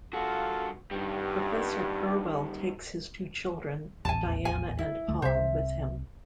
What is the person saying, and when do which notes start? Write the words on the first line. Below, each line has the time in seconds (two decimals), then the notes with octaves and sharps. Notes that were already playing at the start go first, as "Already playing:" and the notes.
Professor Purwell takes his two children, Diana and Paul, with him.
0.13 G2 F4 F#4 A4 F5
0.91 G2 D#3 G3
4.05 D#1 A1 E2 G#5 A5
4.45 G#5
4.79 E4
5.08 D2 A3
5.22 C2 C3 C5 E5